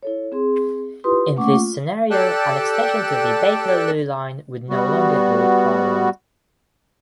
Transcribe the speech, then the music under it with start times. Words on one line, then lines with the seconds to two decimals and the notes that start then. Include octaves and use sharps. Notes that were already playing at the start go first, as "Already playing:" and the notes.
In this scenario, an extension to the Bakerloo line would no longer be required.
0.03 E4 A4 C#5
0.32 C4 G#4 C6
1.04 E4 F4 G4 B4 C6 D#6
1.36 A3 A#3 C#4 F#5 C#6 D6
1.52 F4
2.11 G4 A4 D5 G5 A5 F#6
4.70 G3 B3 F#4